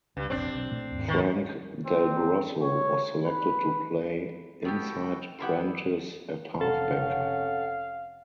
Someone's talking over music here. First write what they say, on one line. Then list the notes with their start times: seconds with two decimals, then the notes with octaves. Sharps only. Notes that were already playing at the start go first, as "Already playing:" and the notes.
Frank Delgrosso was selected to play inside Prentice at halfback.
0.17 C#2 G2
0.30 F1 A#1 C4 D4
0.55 B1
0.71 A#2 A3
0.92 D#2 G#2
1.08 D#3
1.87 C4
2.62 C#5
3.26 B4
4.65 B3 F#4 G4 A4 G5
5.40 B3 E4 G4 F#5
6.61 F1 C3 C#4 A4 F5 F#5